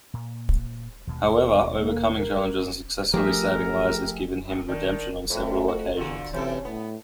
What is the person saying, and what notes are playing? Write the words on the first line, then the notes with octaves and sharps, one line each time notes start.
However, overcoming challenges and successfully saving lives has given him redemption on several occasions.
A#2 A#3
D#2 B2 G#3
A#3
A#4
F3 A3 G4 G#4 A#4 E5
D#3 D4 A#4
F2 A2 A3
F#4
E2 A#2 D3 F#4
C3 E3 F#3 C#4 A4
A2 B3